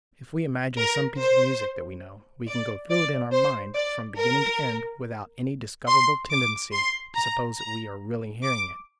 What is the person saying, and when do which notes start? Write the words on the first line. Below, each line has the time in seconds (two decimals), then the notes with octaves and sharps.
If we imagine some piece of music that we know, we can go through it in our mind from beginning to end without any discoverable tendency to suppose that we are really hearing it.
0.77 A#4
1.20 C5
2.48 D5
2.90 D5
3.32 C5
3.75 D5
4.18 A#4
5.87 C6
6.31 D6
6.72 C6
7.15 A#5
7.58 A#5
8.44 D6